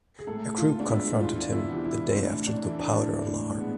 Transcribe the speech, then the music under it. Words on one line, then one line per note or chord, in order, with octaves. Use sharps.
A group confronted him the day after the Powder Alarm.
G#4
A2 A4
F4
G#3 B3 D4
E4
E2 F4
D4
E4
C3 E3 B3
E4
C4
A2 D4
D4
E3 A3
D4
A2
G#3 B3